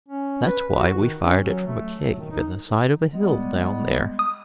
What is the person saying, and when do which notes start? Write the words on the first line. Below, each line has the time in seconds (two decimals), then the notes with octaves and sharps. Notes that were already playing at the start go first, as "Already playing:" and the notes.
That's why we fired it from a cave in the side of a hill down there.
0.08 C#4
0.46 B4
0.75 F#4
0.98 D#3
1.23 C#4
1.41 F#3
1.67 A3
2.05 F#3
2.19 D#3
2.31 D#4
3.12 G3 G#3 B3
4.19 D#6